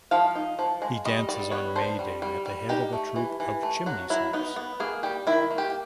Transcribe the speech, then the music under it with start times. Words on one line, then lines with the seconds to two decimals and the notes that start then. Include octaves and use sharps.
He dances on May Day at the head of a troop of chimney-sweeps.
0.11 F3 F5
0.35 D#4
0.59 F3
0.82 G#3
1.05 G3 D#5
1.29 G3 D5
1.52 B3 C#5
1.76 D4 C5
1.99 G3
2.22 G3
2.46 G3
2.69 D#4 G4
2.93 A3
3.16 E3
3.40 E3
3.63 A3
3.86 F#3 F#4
4.10 F#3 E4
4.33 B3 D#4
4.56 B3
4.80 A#3 G#4
5.03 G3 G4
5.27 D#3 E4
5.51 A#3
5.58 G4